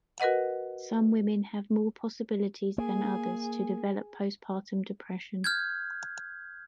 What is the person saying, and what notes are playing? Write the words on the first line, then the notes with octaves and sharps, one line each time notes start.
Some women have more possibilities than others to develop postpartum depression.
F#4 A#4 B4 D#5 F#5
A#3 G#4
F6 G6 G#6